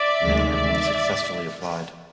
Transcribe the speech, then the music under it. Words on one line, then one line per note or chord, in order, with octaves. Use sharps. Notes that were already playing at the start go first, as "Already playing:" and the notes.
Many have been successfully applied.
Already playing: D5 E5
D2 C3 D#3 G#3
D5 E5